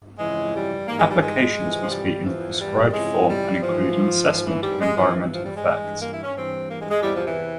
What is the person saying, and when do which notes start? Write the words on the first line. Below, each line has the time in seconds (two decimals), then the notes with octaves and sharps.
Applications must be in the prescribed form and include an assessment of environmental effects.
0.18 F2 C#3 E3 G#3
0.52 G3
0.86 G#2 E3 A#3
0.97 G#3
1.09 G3
1.19 G#3
1.55 F2 C3 E3
1.82 F3
1.89 G3
2.23 E2 E3 F3
2.58 G3
2.92 F2 C#3 E3 G#3
3.26 G3
3.60 G#2 E3 F3
4.28 G#2 E3 F3
4.45 E3
4.63 G3
4.80 G#3
4.97 G2 E3 F3
5.31 F3
5.42 G3
5.54 G#3
5.65 G2 E3
5.99 A#3
6.10 E4
6.22 C#4
6.33 G2 E3 C4
6.67 A#3
6.79 G#3
6.90 G#3
7.02 E2 C3 E3 G3
7.13 F3
7.25 E3